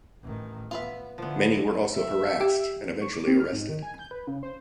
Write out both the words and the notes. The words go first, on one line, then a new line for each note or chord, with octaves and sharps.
Many were also harassed and eventually arrested.
A1 D#3
B3 F4 B4 E5
D3 F3 B3 E4
E5
G4 G5
C#6
D6
C4
F6
G#2
D#3
G#5
G6
B4
C#3
C5